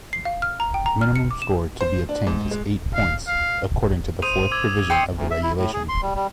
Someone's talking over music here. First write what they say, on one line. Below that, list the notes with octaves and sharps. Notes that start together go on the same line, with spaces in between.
Minimum score to be obtained is eight points, according to the fourth provision of the regulation.
C7
F5
F6
A#5
G5
A#5
F6
C#7
D6
E7
C5
D4
G#2
G#3
F5
F5
C5 D#6 D#7 F7
D6 E6 G#6
G5 C6 D#6 E6 C#7
D2
E5
E4
A2
G#4
C6
G3
G3